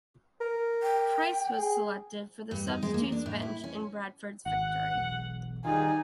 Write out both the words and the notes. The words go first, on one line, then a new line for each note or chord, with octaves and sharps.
Pryce was selected for the substitutes bench in Bradford's victory.
A#4
G5
G#4
G2
D#4
G#3
A#3
D4
A2
E4
C#4
G#1 F#5
E1 B1
D#3 G3 D#4 F4 G#4 G#5